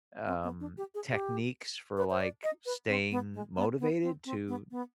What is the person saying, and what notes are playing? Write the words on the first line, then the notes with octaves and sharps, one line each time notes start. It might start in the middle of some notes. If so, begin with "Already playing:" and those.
um, techniques for, like, staying motivated to
C4
B3
D4
G4
G#4
G4
B4
C5
D5
D#5
B4
C4
B3
G#3
B3
B3
C4
C4
B3
B3